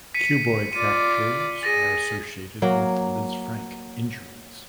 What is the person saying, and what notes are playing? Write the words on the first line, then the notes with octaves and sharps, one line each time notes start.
Cuboid fractures are associated with Lisfranc injuries.
B6 C#7 D#7
F4 D5 D#7
G#4 A6 A#6 D#7
F#3 A#3